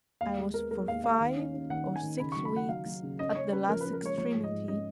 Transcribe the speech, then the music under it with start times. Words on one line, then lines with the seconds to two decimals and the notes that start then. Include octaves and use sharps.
I was for five or six weeks at the last extremity.
0.21 D#2 F5
0.39 G#3
0.54 B3 A#4
0.71 G#3 A#4
0.88 D#2 F5
1.04 D#2 F5
1.20 D#3
1.38 C#4
1.54 C#4
1.70 D#3 F#5
1.86 C#4
1.96 G#5
2.03 D#3
2.20 C#3 B5
2.32 F#3 C#6
2.45 B5
2.52 F#3 F#5
2.69 F#3 F5
2.86 F#3
3.03 C#3
3.19 C#4 D#5
3.35 C#4 C#5
3.52 C#4 B4
3.69 F3 A#4
3.81 C#4 B4
3.93 A#4
4.02 G#3 C#5
4.18 F3 C#5
4.34 G#2
4.44 D#5
4.51 G#2
4.68 C#4 D#5